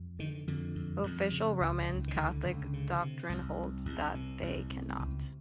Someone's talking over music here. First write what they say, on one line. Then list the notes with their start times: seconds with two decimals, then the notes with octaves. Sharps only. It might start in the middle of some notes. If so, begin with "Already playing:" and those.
Official Roman Catholic doctrine holds that they cannot.
Already playing: F2
0.19 D3 D#3
0.47 F2 D3
0.75 F2
1.04 F2
1.32 C#3
1.60 C#2
1.89 C#2
2.08 D#3
2.16 C#2 D3
2.45 C#2
2.73 C#3
3.01 C3
3.29 C2
3.58 C3
3.86 C2
4.14 C3
4.42 C2
4.71 C3
4.99 C#2